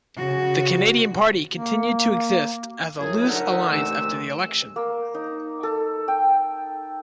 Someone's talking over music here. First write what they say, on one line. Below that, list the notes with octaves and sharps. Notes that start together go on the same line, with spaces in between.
The Canadian Party continued to exist as a loose alliance after the election.
C#3 F#4
A#3
F#2 A2 F#3 F4 G#4
D2 D3 D#4 A#4 E5 F#5
D#2 C3 E3 A3 E6
A#3
D#4
A4
G5